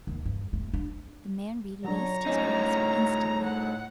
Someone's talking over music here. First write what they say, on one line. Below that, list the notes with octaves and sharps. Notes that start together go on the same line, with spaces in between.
The man released his grasp instantly.
D#2
G2
A3
D4
D3 F#3 D4 F4 C#5 A#5
A2 C#4 D#4
F#5